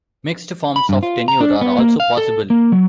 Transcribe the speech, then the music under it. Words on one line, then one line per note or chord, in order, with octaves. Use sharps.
Mixed forms of tenure are also possible.
B5
G2
F4
A#5
D4
B3
A#3
F5
A4
A#3
F#3